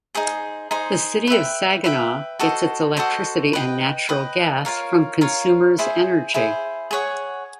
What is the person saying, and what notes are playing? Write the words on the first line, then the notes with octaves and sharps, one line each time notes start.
The City of Saginaw gets its electricity and natural gas from Consumers Energy.
D#4 G#4 C5
D#4 G#4 C5
B4 E5 G5
B4 E5 G5
F#4 A4 C5 D#5
F#4 A4 C5 D#5
B4 D#5 G5
B4 D#5 G5
F4 A#4 C#5 F5
F4 A#4 C#5 F5
E4 G#4 C5
E4 G#4 C5
G#4 C#5 F#5